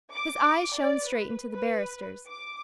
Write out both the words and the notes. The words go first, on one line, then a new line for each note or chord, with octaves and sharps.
His eyes shone straight into the barrister's.
D6
D5
B4
B4
D6